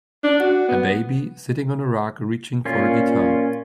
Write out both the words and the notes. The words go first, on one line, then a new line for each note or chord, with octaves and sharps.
A baby sitting on a rug reaching for a guitar.
D4
F#4
B3
A#2 C#4 F4